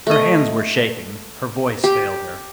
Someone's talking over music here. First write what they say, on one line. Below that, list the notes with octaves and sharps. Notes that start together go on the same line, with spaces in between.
Her hands were shaking, her voice failed her.
A3 D#5
G4